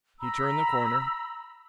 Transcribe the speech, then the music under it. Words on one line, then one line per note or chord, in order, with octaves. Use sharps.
He turned the corner.
A#5 B5 E6